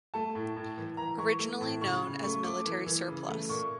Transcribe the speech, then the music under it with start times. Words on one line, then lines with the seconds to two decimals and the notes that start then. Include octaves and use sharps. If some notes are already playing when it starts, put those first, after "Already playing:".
Originally known as 'Military Surplus'.
0.14 A3 A5
0.35 A2
0.57 A2
0.78 E3
0.97 E3 A#5
1.18 E3 C#6
1.39 A3
1.61 A2
1.81 C#3 C#6
2.03 C#3
2.23 A3 C#6
2.44 A3 D6
2.65 E3
2.87 E3
3.07 C#3
3.28 A3
3.49 A#2 C#6